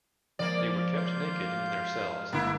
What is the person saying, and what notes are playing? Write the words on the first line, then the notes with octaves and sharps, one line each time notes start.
They were kept naked in their cells.
F3 G#3 A#3 D5
F4 F5 G6
G1 G#3 A#3 E4 D6